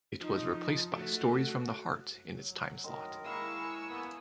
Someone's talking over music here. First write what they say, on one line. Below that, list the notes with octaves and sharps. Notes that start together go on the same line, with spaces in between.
It was replaced by "Stories from the Heart" in its timeslot.
F3 D#4
A3 F#4
F#3
D#3 A#4 C6
G#3 A#3 E4 B5 C#6 E6
G#5
A#3 B3